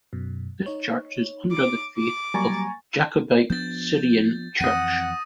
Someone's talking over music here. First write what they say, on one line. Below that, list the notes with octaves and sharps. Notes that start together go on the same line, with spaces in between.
This church is under the faith of Jacobite Syrian Church.
F#2 B2
D#4 C#5
D6
D6
F#3 G3 A#3 G#5 A#5 C#6 A6
F3 B3 D4 G6 A6
F2 E3 C4 F#5 D#6 A#6 D#7